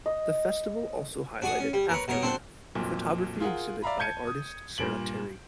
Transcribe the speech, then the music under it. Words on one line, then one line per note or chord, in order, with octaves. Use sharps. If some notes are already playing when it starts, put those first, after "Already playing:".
The festival also highlighted "Aftermath," a photography exhibit by artist Sara Terry.
D#5
D4 F#4 G#5 C#6 D#6
C#4
G3
A#4 B4 C#5
B2 A#4 C#5 D#5
C4 D4 F#4 C5
B1 F2 A#2
F4 G#4 A#4 F#5
D5 E5 F5 A#5 B5
A5 G6 G#6 C#7 D#7
D#6
G2 A#2 D7 F#7